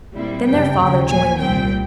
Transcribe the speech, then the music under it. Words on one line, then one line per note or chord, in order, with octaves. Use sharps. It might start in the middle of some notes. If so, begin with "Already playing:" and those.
Then their father joined them.
A#2 G3 C4 E4
F#2 C#3 E3 G3 G5
D#2 C#3 F3
A#2 F3 A#3 G#5
C2 A#2 G3 C4 G5